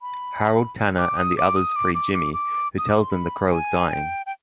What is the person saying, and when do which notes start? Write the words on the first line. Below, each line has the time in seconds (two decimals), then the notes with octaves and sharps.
Harold, Tanner, and the others free Jimmy, who tells them the crow is dying.
0.02 B5
0.98 D6
1.17 D#6
1.37 D6
1.56 D#6
1.76 D6
1.95 D6
2.14 D6
2.34 D6
2.78 D#6
2.88 D6
3.00 C6
3.11 B5
3.50 G#5
3.88 G#5
3.93 G5
4.26 G5